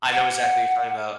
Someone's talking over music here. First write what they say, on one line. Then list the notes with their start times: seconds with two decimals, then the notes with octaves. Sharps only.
I know exactly what you're talking 'bout.
0.12 F#5